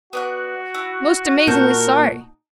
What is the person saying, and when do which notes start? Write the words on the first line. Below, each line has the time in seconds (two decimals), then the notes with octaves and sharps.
Most amazingly sorry!
0.13 B3 F#4 D5 F#6
0.74 E4
1.47 A#2 D#4 A#4 A5 G6